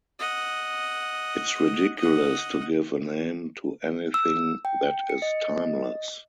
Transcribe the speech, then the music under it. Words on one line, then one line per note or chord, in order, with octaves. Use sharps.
It's ridiculous to give a name to anything that is timeless.
D#5 F#5
D#5 F#5
E6
G5
C#7
D#5